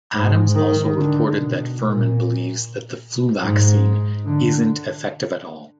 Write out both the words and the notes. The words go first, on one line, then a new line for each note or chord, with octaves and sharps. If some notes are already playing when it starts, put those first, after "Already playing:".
Adams also reported that Fuhrman believes that the flu vaccine "isn't effective at all".
G#2
D#3
D3
B2
A#2
G#2
D3